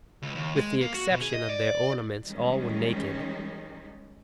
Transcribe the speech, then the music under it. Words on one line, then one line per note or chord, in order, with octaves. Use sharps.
With the exception of their ornaments all were naked.
C#2
D#2
G#3
A#3
F#4
B2
G#4
D#5
D5
D#3 E3 G3 G#3 C#4 D#4